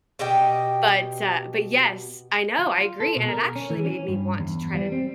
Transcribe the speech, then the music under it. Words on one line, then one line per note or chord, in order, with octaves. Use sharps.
but, uh, but yes, I know. I agree. And it actually made me want to try to
B2 G4 D#5 G5
F4
A4
B2
A#4
C#4
E3
C#4
G2
E2
G3
C4